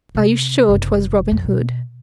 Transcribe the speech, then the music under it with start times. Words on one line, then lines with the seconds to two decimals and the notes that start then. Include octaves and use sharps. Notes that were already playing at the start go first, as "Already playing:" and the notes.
"Are you sure 'twas Robin Hood?"
0.15 C3
0.68 F#1 C3
1.31 F2 A2
1.44 B2